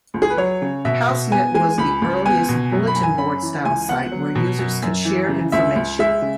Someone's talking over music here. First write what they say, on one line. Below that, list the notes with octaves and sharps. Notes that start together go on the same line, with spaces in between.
HouseNet was the earliest bulletin-board style site where users could share information.
C#2
G#4
B4
F#3 C#5
C#3
B2 E5
B2
B3 G#5
G#3 G#5
C#2 B5
C#2
B3 G#5
B2
F#2
B5
F#2
G#5
C#4 B5
E3
C#2 G#5
B3 F#5
F#3
B2
F#2
F#2
E3
C#3
C#2 E5
C#2
G#3 E5
C#3